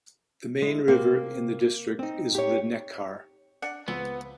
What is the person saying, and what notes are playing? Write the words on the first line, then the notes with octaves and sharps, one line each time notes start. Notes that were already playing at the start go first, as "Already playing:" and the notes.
The main river in the district is the Neckar.
G#3 E4
C3 A#3 C4
C4 D#4
G4 C#5
D4 F#5
C#2 B3 C4 B4